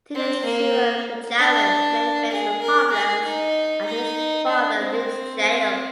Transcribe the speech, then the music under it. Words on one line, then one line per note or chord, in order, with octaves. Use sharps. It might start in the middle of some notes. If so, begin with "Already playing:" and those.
Teenage swimmer Benjamin Lane faces problems after his father leaves jail.
C4
A#3
D4
G#4
A#4
G#4
D#4
D#4
D4
C4
C4